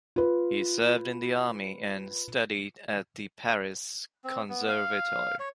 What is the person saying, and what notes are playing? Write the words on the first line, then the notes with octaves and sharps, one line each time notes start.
He served in the army and studied at the Paris Conservatoire.
F4 B4
C4
B3
F5
C#5